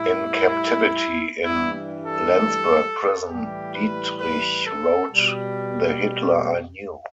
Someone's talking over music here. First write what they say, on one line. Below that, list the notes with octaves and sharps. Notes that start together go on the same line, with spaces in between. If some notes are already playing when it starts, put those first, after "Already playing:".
In captivity in Landsberg Prison, Dietrich wrote The Hitler I Knew.
Already playing: A2 G3 E4
G2 E3 G3 E4
A4
A2 E3 G3 G4
B4
B4
A4
B2 G3